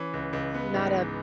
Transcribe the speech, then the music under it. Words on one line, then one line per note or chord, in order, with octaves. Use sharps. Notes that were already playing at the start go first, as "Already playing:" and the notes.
not a
Already playing: E3 C#4
C#2
C#2
B3
G#2
E3